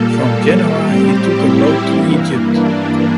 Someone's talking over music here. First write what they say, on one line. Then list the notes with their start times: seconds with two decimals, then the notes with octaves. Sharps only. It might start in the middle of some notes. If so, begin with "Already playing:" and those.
From Genoa he took a boat to Egypt.
Already playing: A#2 G3 A#3 A4
0.77 A2 G3 C4 G4
1.35 E4
1.91 G2 E3 A#3
2.48 D4